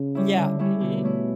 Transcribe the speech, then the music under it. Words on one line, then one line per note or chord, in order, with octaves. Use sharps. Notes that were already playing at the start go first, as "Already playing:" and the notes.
Yeah. Mhm.
Already playing: C#3
G3 C#4 E4
D3
G3 C#4 E4
B2 D3
A3 C#4 E4